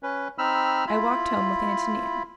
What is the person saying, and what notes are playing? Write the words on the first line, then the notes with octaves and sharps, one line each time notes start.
I walked home with Antonia.
C#4 B4
C4 D#4 B5 E6 F6
E4 F4 B5